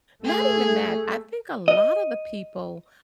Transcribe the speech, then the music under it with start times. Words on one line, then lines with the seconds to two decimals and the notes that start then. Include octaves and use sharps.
not even that I think a lot of the people,
0.24 A3 G#4
1.68 D#5